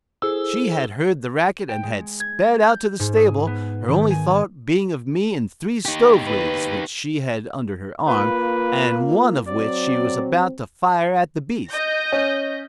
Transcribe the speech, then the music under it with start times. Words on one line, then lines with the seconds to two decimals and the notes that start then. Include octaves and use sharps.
She had heard the racket, and had sped out to the stable, her only thought being of me and three stove-lids which she had under her arm, and one of which she was about to fire at the beast.
0.22 E4 G#4 A4 C5 E6
1.69 G5
1.83 G#3
2.20 G#6
2.64 G6
3.00 G#2
3.17 G#4
3.47 B3
3.88 D#3
4.11 G#5
5.85 D#4 G4
6.25 B4
8.08 A#3 F4 B4
9.47 F#3 C4 D5
11.69 D#5 G6 A#6
12.12 C#4